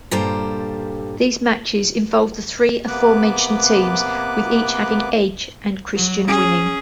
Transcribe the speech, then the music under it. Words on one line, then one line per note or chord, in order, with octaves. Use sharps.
These matches involved the three aforementioned teams, with each having Edge and Christian winning.
G2 A#2 G4 A4 C5 A#5
C3 A#3 B3 B4 D6 F#6
F#3
C#4 G#4